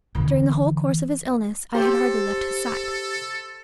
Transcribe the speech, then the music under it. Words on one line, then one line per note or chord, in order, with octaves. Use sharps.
During the whole course of his illness I had hardly left his side.
D3 E3
G4 A4 C5